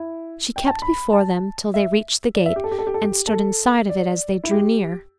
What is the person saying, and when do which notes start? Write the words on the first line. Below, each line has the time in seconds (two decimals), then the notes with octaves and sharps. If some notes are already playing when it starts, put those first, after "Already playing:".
She kept before them till they reached the gate, and stood inside of it as they drew near.
Already playing: E4
0.56 G5
0.67 A5
0.82 B5
1.13 A5
1.74 E5
2.35 D5
2.46 E5
2.56 G4
2.64 A4
2.72 G4
2.79 A4
2.87 G4
2.94 A4
3.02 G4
3.27 A4
3.89 D5
4.44 E4
4.51 G4